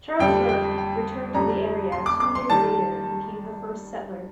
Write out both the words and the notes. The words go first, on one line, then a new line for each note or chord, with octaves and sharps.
Charles Bird returned to the area two years later and became the first settler.
F2 D3 G3 G5
G5
G5
F2 D3 G3 A#5
C6
D6
D6
C6
D#3 G3 A5